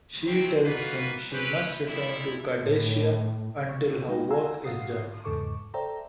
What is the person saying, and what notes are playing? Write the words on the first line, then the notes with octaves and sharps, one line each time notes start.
She tells him she must return to Cardassia until her work is done.
C3 F#3 C4
A#3 D#4 F4 F#4 B4
C4 C#4 G4 B4
G#2 G3 E4
A2
C#6
G#3 D#4 F5 G5
F5 F#5 G#5 A#5 C6 E6
G#2 F5 F#5 D#6 C7
E2 G#2 C#3 A4 C#6 D6
A4 C5 D5 E5 G5 A#5